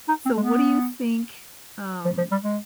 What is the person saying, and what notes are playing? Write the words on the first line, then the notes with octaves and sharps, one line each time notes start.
So, what do you think, um
D#4
C4
G#3
B3
F3
F3
G3
G#3